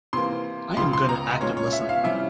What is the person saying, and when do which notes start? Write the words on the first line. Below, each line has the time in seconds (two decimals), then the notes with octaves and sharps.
I am good at active listening.
0.13 C3 E3 A#3 C6
0.77 C#2 C#3 F3 C6
0.93 C6
1.09 A#5
1.41 A#2 G#3 C#4 C#5
1.57 C#5
1.72 E5
1.89 F5
2.04 C3 G3 C#4 E4 E5